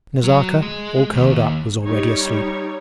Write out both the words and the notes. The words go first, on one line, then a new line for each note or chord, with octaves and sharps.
Nazarka, all curled up, was already asleep.
F#3
G#3
D#2
G3 D#4 C#5